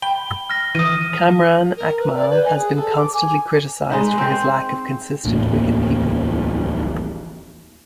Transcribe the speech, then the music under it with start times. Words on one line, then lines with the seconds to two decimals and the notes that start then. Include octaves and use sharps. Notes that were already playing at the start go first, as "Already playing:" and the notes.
Kamran Akmal has been constantly criticized for his lack of consistent wicket-keeping.
0.02 G5 B5 G7
0.50 F6 A#6
0.75 E3 D#6 D#7
1.77 A#4
2.00 B4
2.14 D5
2.30 B4
2.45 G#5
2.57 G#4
2.75 A4
2.97 D6
3.14 G#5
3.90 G#3 D#4 B4
4.18 C4 C5
5.24 D1 A1 E2 A#3